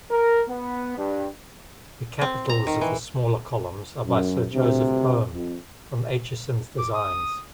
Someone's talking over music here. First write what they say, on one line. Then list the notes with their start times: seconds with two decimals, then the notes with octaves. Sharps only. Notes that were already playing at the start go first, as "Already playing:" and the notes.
The capitals of the smaller columns are by Sir Joseph Boehm, from Aitchison's designs.
0.11 A#4
0.49 B3
0.98 G2
2.21 C4
2.49 A#5
2.67 D#3
2.81 E3
4.06 F#2
4.52 D2 G2 C3
5.33 F2
6.78 D6
6.94 D#6